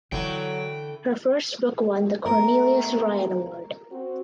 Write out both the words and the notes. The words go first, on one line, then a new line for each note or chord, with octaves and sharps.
Her first book won the Cornelius Ryan Award.
D3 E3 F#3 A3 G5
A3 B3 A#4
C4 F#4